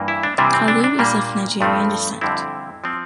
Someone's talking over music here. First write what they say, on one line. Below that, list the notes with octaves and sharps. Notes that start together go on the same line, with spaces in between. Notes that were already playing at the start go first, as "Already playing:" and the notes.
Kalu is of Nigerian descent.
Already playing: G2 E3 A#3
E4
D4
C3 E3 G3 C4 D4
C4
D4
D4
A#2 G3 A#3
G2 F3 A3 C4
F2 D3 G3 C4 E4
F3 C4